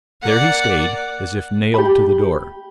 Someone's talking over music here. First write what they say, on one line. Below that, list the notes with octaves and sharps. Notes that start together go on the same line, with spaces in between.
There he stayed as if nailed to the door.
A#3 D5 F#5
G4 B5